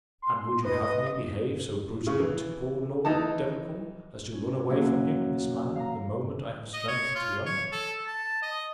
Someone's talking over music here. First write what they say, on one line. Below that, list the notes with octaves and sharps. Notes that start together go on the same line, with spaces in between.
"And would you have me behave so brutally to poor Lord Delacour, as to run away from him in this manner the moment I have strength to run?"
C6
B4 D#5
C#3
E3
E3 D#4 D#5 A5
C#4
F#2 A#3 C#4 E4
F5 A#5
D#5
C#5
F4
C#5
A4
A5
D#5